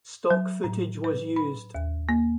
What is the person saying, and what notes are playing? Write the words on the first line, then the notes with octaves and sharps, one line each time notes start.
Stock footage was used.
F#3
A2
B4
B5
D#2
A#3